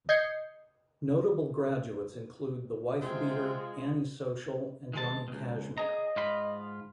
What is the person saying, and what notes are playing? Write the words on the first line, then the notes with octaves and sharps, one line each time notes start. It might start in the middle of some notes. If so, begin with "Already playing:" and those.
Notable graduates include The Wifebeater, Annie Social, and Johnny Kashmere.
D#5 G6 G#6 C7 C#7
C3 G#3 C4 F4
D#3 G#3 A5
C#2 B2
G#4 D#5 A#5
G#2 F4 B5